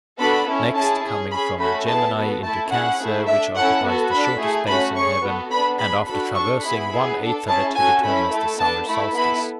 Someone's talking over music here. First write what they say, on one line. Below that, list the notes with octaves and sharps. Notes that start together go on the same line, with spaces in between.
Next, coming from Gemini into Cancer, which occupies the shortest space in heaven, and after traversing one eighth of it, he determines the summer solstice.
B3 D4 F#4 A4 B5
C#4 E4 A4
C#4 E4 G#4 A5
C#4 G#4
C#4 G#4 B5
A3 C#4 F#4 A4 B5
B3 E4 G#4 A5
B3 F#4 A4
A3 E4 A4 A5
C#4 E4 G#4 F#5
A3 E4 G#4
D4 A4 E5
C#4 E4 A4 F#5
B3 F#4 A4
D4 A4 B5
A3 E4 G#4
A3 C#4 F#4 B5
C#4 G#4 C#6
B3 F#4 A4
B3 D4 A4 B5
D4 G#4 B5
D4 F#4 A4 B5
D4 A4 C#6
B3 E4 G#4 B5
B3 E4 G#4
D4 A4
C#4 E4 G#4 A5
C#4 F#4 A4 G#5
C#4 E4 A4 B5
A3 E4 A4
B3 D4 A4 A5
A3 E4 A4 B5
B3 E4 A4 B5